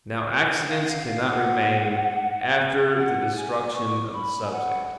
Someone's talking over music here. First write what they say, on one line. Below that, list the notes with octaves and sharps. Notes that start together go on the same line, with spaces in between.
Now accidents cannot remain after the destruction of the subject.
F5
F#5
F5
F5
F#5
F#5
G#5
C#6
B5
G#5
F#5